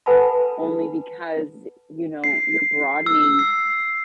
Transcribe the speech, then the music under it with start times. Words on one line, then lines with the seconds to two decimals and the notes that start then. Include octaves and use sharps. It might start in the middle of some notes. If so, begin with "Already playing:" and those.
only because, you know, you're broadening
0.06 A4 B4 F#5 G#5 A5 B5
2.24 C7
3.06 E6
3.39 C7